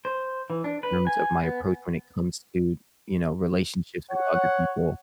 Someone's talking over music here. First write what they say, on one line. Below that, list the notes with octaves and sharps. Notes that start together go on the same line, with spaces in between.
terms of my approach when it comes to, you know, relationships with other people,
C5
E3
D4
B4
G#5
B3
C#5 F#5